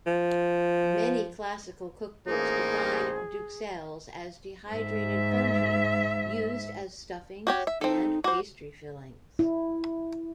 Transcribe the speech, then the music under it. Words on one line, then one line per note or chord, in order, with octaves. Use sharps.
Many classical cookbooks define duxelles as dehydrated fungi, used as stuffings and pastry fillings.
F3
A1 A#3 D#4 G#4 C5
G#2 E5
F#4 G4 C#5
E5
C4 D#4 A4
F#4 C5 D6
E4